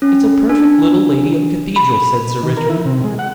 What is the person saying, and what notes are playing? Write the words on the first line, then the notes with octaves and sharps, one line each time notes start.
"It's a perfect little lady of a cathedral," said Sir Richmond.
C#4
D4
B5
D#3
A#4
E4
C3
G#3
F#5